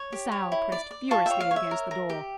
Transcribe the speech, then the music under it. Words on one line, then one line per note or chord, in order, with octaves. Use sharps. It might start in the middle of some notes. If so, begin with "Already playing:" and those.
The sow pressed furiously against the door.
Already playing: C#5
G4
C#5
E4
D5
D5
F4 A5 C#6
C#5 E5 G5
F5
C#5
E5
A#4
A#4
G4